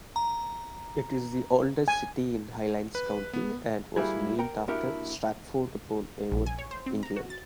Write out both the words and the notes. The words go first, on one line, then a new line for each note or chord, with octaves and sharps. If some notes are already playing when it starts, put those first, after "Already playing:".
It is the oldest city in Highlands County, and was named after Stratford-upon-Avon, England.
A#5
G#5
B4
B3
G3 A#3 E4 F#4 G#4
A#4 F#5 G5 A#5
A#3 D4 E4 F#4 G4 A#4
A#1
G#5
C#5
C5
C4
A#5
F#4
A6